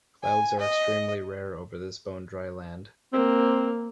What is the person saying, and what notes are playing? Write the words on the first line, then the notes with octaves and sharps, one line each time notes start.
Clouds are extremely rare over this bone-dry land.
G#5
D#5
A#3 C4